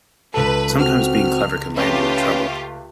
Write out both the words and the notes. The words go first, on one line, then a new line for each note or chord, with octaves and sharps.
Sometimes being clever can land you in trouble.
C#2 A4 B4
C4 F#4 F6
A3 C#4 F4 G4 B4